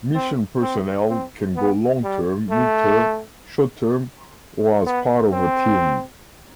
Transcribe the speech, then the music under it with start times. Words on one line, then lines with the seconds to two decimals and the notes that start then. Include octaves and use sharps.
Mission personnel can go long-term, mid-term, short-term or as part of a team.
0.15 C4
0.61 C4
1.10 C4
1.56 B3
2.04 G3
2.50 A3
4.86 B3
5.33 C4